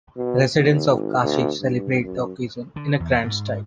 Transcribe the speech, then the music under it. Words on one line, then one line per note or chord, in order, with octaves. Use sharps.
Residents of Kashi celebrate the occasion in a grand style.
B2
D#2
G#1
D2
G2
F#2
D3
E2
G#2